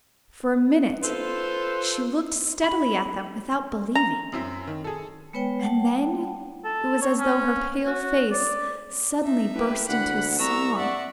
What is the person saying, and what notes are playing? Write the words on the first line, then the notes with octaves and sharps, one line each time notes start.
For a minute she looked steadily at them without believing, and then it was as though her pale face suddenly burst into song.
F4 A4 B4 C5
B5
A#5
F#2 C4 E4
D#3
G#4 A4
G#3 B3 B4 C#5 G5
G3 F#5 G5 A5
A4
C#5
C#4
F#4
D5
D#4 E5
A2 G4 B4
D2 F#5 B5 F#6
C2 A#5 C#6 E6
D5 E5 F#5